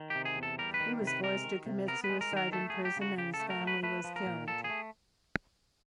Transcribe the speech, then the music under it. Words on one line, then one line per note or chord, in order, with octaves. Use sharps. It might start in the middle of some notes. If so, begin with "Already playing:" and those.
He was forced to commit suicide in prison, and his family was killed.
Already playing: D#3
G4
C3
G#4
E2
A4
G3 A#4
B4
D#3
C3
B4
G#3 A#4
D#3
C3
B3 A#4
B4
G#3
A#4
D#3 A#4
A3 A4
F#3 G#4
G4
C#3
F#4
C#3 G4
A4
A3
A#4
F#3
B4
A3 B4
F3
A#4
A#2
A#2 A4
G#4
A3